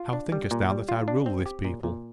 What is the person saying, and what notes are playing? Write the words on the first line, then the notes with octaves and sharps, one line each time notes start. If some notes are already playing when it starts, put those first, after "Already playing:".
How thinkest thou that I rule this people?
Already playing: F4
D4
G3
A#2
G3
F4
D4
C4
G4
A#2
A#2